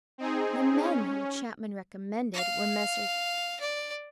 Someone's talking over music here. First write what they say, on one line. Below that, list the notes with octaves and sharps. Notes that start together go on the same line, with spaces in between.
The men whom Chapman recommended were Messrs.
C4 D#4 G#4
C#4
F5
D5